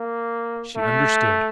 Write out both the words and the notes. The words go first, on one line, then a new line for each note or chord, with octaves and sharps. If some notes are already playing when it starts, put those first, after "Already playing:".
She understood!
Already playing: A#3
A3